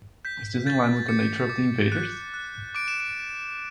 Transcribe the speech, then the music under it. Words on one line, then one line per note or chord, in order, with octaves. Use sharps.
Is this in line with the nature of the invaders?
G6 B6
G6 A6
D6 C#7
D6
F#6
F#6
D6 D7
E7
D7